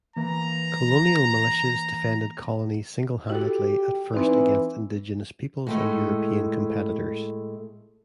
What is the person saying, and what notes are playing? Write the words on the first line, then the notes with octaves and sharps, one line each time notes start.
Colonial Militias defended colonies single-handedly at first against Indigenous peoples and European competitors.
E3 A#3 A#5
E4 F#4 G4 A4
E3 C4 D#4 D5
A2 G#3 A3